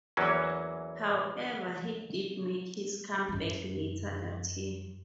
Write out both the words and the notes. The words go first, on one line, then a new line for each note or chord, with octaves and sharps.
However he did make his comeback later that year.
E2 E3 F#3 A#3 C#4
F#2 F4